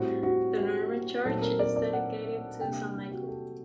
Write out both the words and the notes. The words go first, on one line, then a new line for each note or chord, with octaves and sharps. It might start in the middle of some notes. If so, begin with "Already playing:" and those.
The Norman church is dedicated to Saint Michael.
Already playing: A2 G3 C4 F#4
F#4
G4
A#2 F#3 A3 C4 D#4 A4
A#4
D5
D5
F#5
C3 G3 A#3 D4 G5
G4
F#4
A4